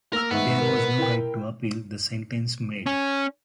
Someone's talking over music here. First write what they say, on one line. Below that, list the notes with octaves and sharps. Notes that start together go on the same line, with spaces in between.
There was no right to appeal the sentence made.
A#3 A#4 E6
G#2 D#3 A3 B4 F#5
A#4
E4 A#4 G5
C#4